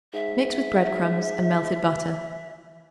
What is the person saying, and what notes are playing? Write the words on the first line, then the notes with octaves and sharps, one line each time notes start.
Mix with bread-crumbs and melted butter.
G#2 E5